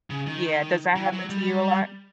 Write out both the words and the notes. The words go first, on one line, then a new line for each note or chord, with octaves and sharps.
yeah, does that happen to you a lot?
C#3
D#3
E3
F#3
G3